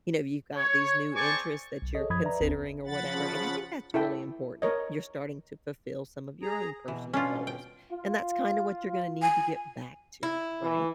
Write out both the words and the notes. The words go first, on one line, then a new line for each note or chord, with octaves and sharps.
you know, you've got these new interests that you're considering or whatever, and I think that's really important. You're starting to fulfill some of your own personal goals and that's kinda what you're gonna need to get back to, right?
C#5
C4 G#4 D5 G#5 A5 C#6
B1
G#4 A4 C#5 D#5
F#2 F3 B5 D#6 G#6
B4 D5 E5 A#5
G1 D#2 C4 D4
C#3 F3 F#5 B5 A6
E4 A4 E5 G5
A#4 C#5 D#5
G#4 A#5
B2 E3
B2 C#4 D4 F4
G5
F4
G#5
E4
E3